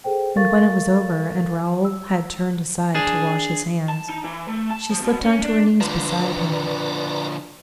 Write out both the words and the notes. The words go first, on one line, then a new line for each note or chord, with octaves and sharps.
And when it was over and Raoul had turned aside to wash his hands, she slipped on to her knees beside him.
G#4 A4 C5 G5
A4 A#4 F5 C#6 A6
E6
D4 G#4
A5
D#4
E3
A3
A5
F3
B2
C#4
D4
D3 F3 B4 D5 A#5